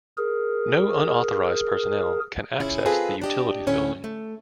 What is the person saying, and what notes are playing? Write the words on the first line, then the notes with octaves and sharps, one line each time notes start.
No unauthorized personnel can access the utilities building.
G#4 A#4
C#3 C#4 E4 F4 G#4
C4 F4 G#4 A4 B4 D#5
D4 G4 D#5
D2 A2 C#4 E4 C#5
A3